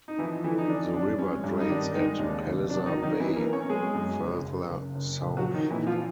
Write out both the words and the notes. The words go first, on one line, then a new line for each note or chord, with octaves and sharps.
The river drains at Palliser Bay further south.
D#4
E3 F3 E4
D3 E3 E4
D#4
F3 D4
F#2 D4
G#3 C#4
G2
D#4
D#3 D4
D#3 G#3 D#4
D#2 D4
F1
F#3 D4
D#3 D#4
F#3
D#3 D#4
E3 B3 E4
A#3 A#4
B3
C#4 C#5
F#3 G#3 G#4
F#2
F#1
F#1
F#1
F#1
A#1
F#3 F#4
F3
D#3 D#4
A#2 E3 E4
F3 F4